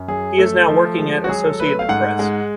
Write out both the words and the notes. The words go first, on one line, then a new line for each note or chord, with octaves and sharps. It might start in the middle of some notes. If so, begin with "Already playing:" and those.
He is now working at Associated Press.
Already playing: F#2
F#3 G#4
A3 A4
F3
G#3
F#4
F#3 G#4
A4
A3 B4
F5
G#2 F#5
G#3